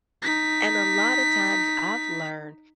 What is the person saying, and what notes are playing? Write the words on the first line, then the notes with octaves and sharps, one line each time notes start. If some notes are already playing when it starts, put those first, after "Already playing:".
and a lotta times I've learned
D#4 B6